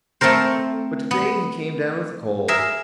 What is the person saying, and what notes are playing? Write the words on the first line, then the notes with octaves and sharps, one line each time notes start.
But today he came down with a cold.
A3 C4 A4 A#4 C5
B3
G#4 A#4 E5